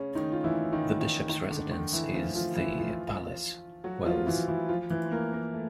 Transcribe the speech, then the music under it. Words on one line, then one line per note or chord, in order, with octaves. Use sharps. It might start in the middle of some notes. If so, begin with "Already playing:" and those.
The Bishop's residence is The Palace, Wells.
Already playing: C#3 C#4
D#3 D#4
F4
E3 E4
D#3 D#4
D#3 D#4
D#3 D#4
D3 D4
D#3 D#4
E3 E4
F3 F4
F3 F4
E3 E4
F3 F4
F#3 F#4
F3 F4
E3 E4
E3 E4
F3 F4
E3 E4
A#3 A#4
A#3 A#4
A3